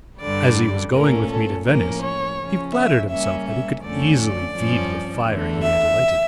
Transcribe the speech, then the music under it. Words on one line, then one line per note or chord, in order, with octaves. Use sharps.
As he was going with me to Venice, he flattered himself that he could easily feed the fire he had lighted.
G2 D3 G3 D5
A#2 A3 C#4 A#4
A4
A2 F3 A#3 C#4 A#4
C#5
C#3 F3 C#4
E5
C#3 G3 A#3 C#4 E5
E5
F2 D3 A3 C#4 D5
D5
G2 F3 C#4
E2 D3 A3
E5